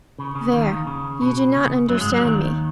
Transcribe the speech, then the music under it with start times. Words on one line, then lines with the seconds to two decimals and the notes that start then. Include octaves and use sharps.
There--you do not understand me.
0.18 C#3
0.35 C#3
0.53 D#2 D#3
0.70 D#2 D#3
0.87 C#3
1.22 B2
1.56 C#3
1.89 F#2 F#3
2.00 G#2 G#3
2.12 F#2 F#3
2.23 D#2 D#3